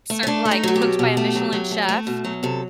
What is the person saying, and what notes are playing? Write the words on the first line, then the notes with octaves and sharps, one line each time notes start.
ser like cooked by a Michelin chef
A3
C#4
A3 D4
A3
D#4
F#3 F#4
G4
B2
B2
A3
F#3
F#3
A3
A3
B2
F#3
C3 A4